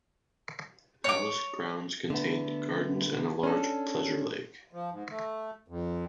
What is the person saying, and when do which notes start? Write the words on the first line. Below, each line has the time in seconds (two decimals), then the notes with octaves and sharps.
The palace grounds contained gardens and a large pleasure lake.
1.04 C#5 D6
2.10 D3 A3 B3
3.43 C#4 D4 A4
4.73 F3
4.92 G#2
5.10 A3
5.68 F2